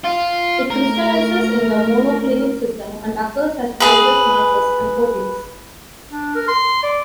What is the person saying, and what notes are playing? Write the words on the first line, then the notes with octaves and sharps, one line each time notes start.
It crystallizes in the monoclinic system and occurs as fibrous masses and coatings.
F4
A3 A#4
G#4 B4
D4
A#4
C6
D5